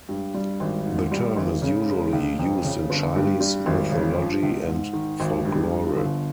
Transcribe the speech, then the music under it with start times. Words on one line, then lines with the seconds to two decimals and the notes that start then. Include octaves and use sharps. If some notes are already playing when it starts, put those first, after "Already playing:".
The term is usually used in Chinese mythology and folklore.
0.09 G2
0.34 G3
0.60 G#1
0.86 G#2
1.12 G3
1.37 G#1
1.62 C#3
1.88 G#3
2.13 C#2
2.39 F2
2.65 C#3
2.90 G1
3.16 G2
3.40 G3
3.66 G#1
3.92 C#3
4.17 F3
4.43 C#2
4.68 G#2
4.93 D#3
5.20 G#1
5.45 G2
5.70 F3
5.96 G1